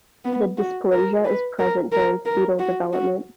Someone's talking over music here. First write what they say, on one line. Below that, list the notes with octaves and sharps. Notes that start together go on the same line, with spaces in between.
The dysplasia is present during fetal development.
B3
F#4
A#4
B4
A#4
A#4
A#4
F#4
F#4